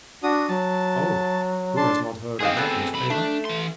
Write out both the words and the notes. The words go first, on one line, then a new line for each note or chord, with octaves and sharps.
"Oh--who has not heard of that newspaper?"
D4 F#4 D#6
F#3 A5
D4 A5 C6
G#2 C4 G#4 D#5 F5
B3 A4
B1 B5
A3 D4
E3 C6